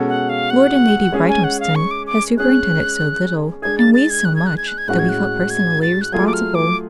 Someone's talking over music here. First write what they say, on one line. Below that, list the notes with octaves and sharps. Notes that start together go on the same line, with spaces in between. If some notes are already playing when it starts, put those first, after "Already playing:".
Lord and Lady Brighthelmston had superintended so little, and we so much, that we felt personally responsible.
Already playing: B2 G#3 C#4 F#4 A4
F#5
F5
F#5
G#3 C#4 G#4
G#5
F#5
F5
C#6
D6
D6
G#3 C#4 G#4 F#6
G#3 D4 G#4 G#6
A6
A6
G#6
F#6
G#6
F#6
G#6
F#6
G#6
A2 G#3 C#4 F#4 F#6
G#6
F#6
G#6
A6
F#6
F#3 A3 F4 G#4 G#6
D6
F6
D6